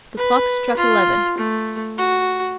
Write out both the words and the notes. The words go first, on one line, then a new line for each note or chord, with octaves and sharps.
The clock struck eleven.
B4
F4
A3
F#4